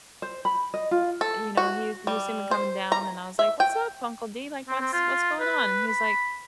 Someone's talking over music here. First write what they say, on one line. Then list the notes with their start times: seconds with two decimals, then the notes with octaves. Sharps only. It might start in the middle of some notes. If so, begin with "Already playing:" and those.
you know, he was he was seeming coming down, and I was like, "What's up, Uncle D? Like, what's what's going on?" And he's like,
0.22 C5
0.45 B5
0.74 D#5
0.91 F4
1.21 A4
1.57 F#4
2.07 G3
2.51 C5
2.92 A#5
3.39 E5
3.60 G5
4.68 C4
4.81 C4
4.93 F4
5.40 B4
5.88 B5